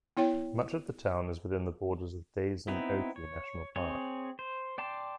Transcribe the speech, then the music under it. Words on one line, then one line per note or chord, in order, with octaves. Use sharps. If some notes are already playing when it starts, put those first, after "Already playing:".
Much of the town is within the borders of Daisen-Oki National Park.
B3 E4 C#5 G5
B3 C4 D#4 E4
C#5
C4 G#4 C#5
C5
D5 G5 A5 C6